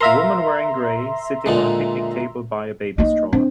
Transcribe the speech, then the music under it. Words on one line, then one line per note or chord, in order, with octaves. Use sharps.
A woman wearing gray, sitting on a picnic table by a baby stroller.
A#4 E5 F5 A#5 C6
A#2 D3 G#3
A#3 D#4 D#5
C4 D4